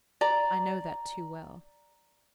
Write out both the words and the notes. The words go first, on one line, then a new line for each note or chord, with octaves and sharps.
I know that too well.
D5 A#5